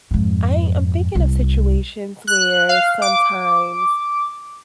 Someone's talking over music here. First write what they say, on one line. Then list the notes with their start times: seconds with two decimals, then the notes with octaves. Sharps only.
I am thinking of situations where sometimes
0.11 F2 G#2
1.15 C2
2.27 F#6
2.69 F5
3.02 D6